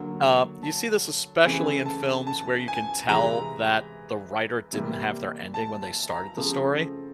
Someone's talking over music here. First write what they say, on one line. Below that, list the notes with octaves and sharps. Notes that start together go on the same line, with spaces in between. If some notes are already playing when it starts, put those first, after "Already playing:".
Uh, you see this especially in films where you can tell that the writer didn't have their ending when they started the story.
Already playing: D3 F#3 A#3
A5
C#3 E3 A3 C4 G#5
A5
A5
G#5
C3 E3 G#3 A#5
C3 E3 G3 A#3
A5
A5
A#5
C#3 F3 A3 C4